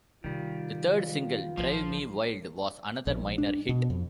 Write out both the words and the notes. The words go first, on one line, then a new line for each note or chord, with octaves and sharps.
The third single, "Drive Me Wild", was another minor hit.
C3 D#3 G3 F4
A#1 F3
A#1
D4
B2
F2